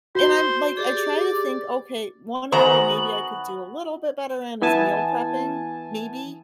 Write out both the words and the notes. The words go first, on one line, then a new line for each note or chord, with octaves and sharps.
and I'm like, I try to think, "Okay, one area maybe I could could do a little bit better in is meal prepping, maybe."
F#4 C5 G7
G4 G#4 D5
D#3 B3 F#4 C5 G#5 A#5 F#7
E3 B3 G#5 A5